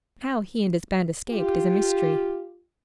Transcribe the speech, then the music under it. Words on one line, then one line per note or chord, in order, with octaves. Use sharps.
How he and his band escaped is a mystery.
F4 G4